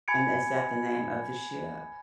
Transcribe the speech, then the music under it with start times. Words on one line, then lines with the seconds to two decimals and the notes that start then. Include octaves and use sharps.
And is that the name of the ship?
0.08 G#5 B5 G#6 C#7 D7